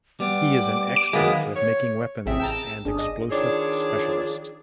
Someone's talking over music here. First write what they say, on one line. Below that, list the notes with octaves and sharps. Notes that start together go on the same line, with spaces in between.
He is an expert of making weapons and explosive specialist.
G3 B3 D6
D7
D#3 F#3 G#3 A#3 B3
C#5
A1 C3 G#4 E5
G5 A5 A#5 E6 A6
G1 D4 G#4
D#5
D#3 F3 D4 G#4 C#5 D5